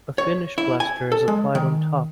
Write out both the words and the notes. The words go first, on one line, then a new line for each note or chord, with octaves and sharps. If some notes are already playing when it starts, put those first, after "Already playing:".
A finish plaster is applied on top.
C#5
E4
G#5
A4
G#3
D#3